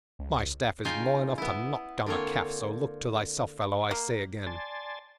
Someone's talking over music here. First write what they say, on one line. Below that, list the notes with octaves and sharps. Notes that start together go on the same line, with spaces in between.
"My staff is long enough to knock down a calf; so look to thyself, fellow, I say again."
C#2
C#3 D#4 F4 F5 G5 G#5
B3 E4
D3 A#3 C4 C#5
A#3
D5 G#5 A5 C6 A6